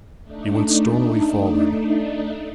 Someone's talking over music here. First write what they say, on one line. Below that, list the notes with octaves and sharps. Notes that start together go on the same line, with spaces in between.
He went stonily forward.
A3 D4 D#4